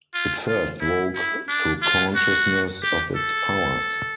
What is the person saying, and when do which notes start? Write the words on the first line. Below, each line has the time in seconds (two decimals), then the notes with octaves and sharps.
It first woke to consciousness of its powers.
0.14 F4
0.47 F4
0.80 E4
1.14 E4
1.48 D4
1.82 F4
2.15 F#4
2.82 G4
3.16 A4